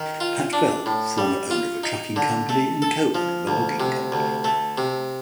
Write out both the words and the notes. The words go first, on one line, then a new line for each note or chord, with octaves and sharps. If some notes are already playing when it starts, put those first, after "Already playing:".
Pat Bell, former owner of a trucking company and co-owner of a logging company.
Already playing: D#3
F4
D4
A2
G3
F4
D#4
D3
A3
A4
F3
D2
C3
D2
A3
C3